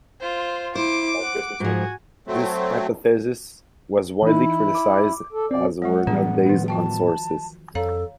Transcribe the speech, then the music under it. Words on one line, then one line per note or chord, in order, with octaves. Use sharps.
This hypothesis was widely criticized as were not based on sources.
F4 C5
E4 C5 D6
F#5
G#2 F3 F#4 G#5
F#3 A3 C4
E3 D#4 E4
D6
A4
B2 C4 D5
F#3 G#3 F4 F#5
A2 E3 G3 B3 D4 G#4
D#3 F3
F4 F#4 G5 A5
F2 A4 C#5 F5 A#5